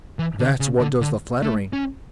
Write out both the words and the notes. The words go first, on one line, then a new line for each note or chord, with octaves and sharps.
That's what does the flattering.
E3
D3
C#3
D3
D3
A3
C#4